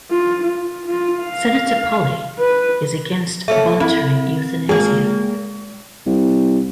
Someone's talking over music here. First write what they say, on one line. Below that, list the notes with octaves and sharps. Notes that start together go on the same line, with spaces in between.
Senator Polley is against voluntary euthanasia.
F4
F4
F4
F5
B4
A3 A#3 C#5 E5
C4 E4
G#3 A#3 G#4
C2